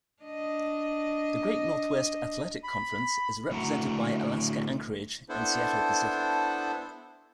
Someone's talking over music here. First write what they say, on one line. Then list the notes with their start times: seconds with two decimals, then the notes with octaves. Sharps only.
The Great Northwest Athletic Conference is represented by Alaska-Anchorage and Seattle Pacific.
0.23 D4 D#5
2.64 B5
3.51 D3 A3 E4 F#4 F#5 A#5
5.29 B3 D4 E4 A4 C5